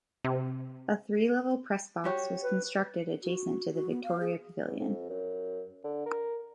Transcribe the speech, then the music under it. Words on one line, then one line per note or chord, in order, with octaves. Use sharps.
A three level press box was constructed adjacent to the Victoria Pavilion.
C3
F#4 G4 C#5
B4
F#4
F#4
B3
F5
G#4
E2
F2
F#2
D3
A#4